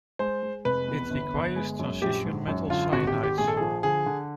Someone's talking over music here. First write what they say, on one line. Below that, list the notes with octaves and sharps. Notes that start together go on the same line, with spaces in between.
It requires transition metal cyanides.
G#3 C5
G#3
F1 B4
E2
G1
G1
G#3
F#2
A#1 G4
G#2
F#2
D3 F4
G#1 F#4
G4
G#1
G4
A#1 G#4
A4
F3 G#4
D3 G#4
D3